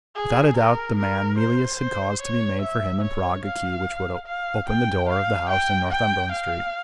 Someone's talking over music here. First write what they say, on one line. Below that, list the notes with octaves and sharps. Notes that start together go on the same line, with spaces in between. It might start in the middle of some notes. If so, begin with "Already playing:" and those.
Without a doubt the man Mealyus had caused to be made for him in Prague a key which would open the door of the house in Northumberland Street.
G#4
A#4
A#4
C5
C5
C#5
E5
C#5
F5
F5
G5
F5
G5
G5
F5